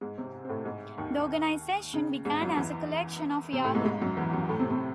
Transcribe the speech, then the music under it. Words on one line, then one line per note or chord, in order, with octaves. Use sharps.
The organization began as a collection of Yahoo!
G#2 G#3
C3 C4
C4
A2 A3
G#2 G#3
D#2 D#3
C#3
G#2 G#3
F#2 F#3
E2 E3
C3 C4
A2 A3
G#2 G#3
G#2 G#3
F#2 F#3
E2 E3
F#2 F#3
A2 A3
C3 C4
C3 C4